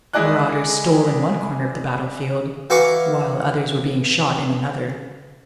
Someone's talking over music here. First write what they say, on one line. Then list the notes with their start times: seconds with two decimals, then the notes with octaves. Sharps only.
The marauders stole in one corner of the battlefield while others were being shot in another.
0.13 G#3 E4 G#4 D5 D#5 F#6
2.70 E3 F#4 A#4 F5 C#6 D6